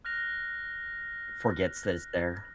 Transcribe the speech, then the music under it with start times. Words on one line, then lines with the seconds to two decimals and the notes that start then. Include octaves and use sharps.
Forgets that it's there.
0.05 F6 F#6 A#6 F7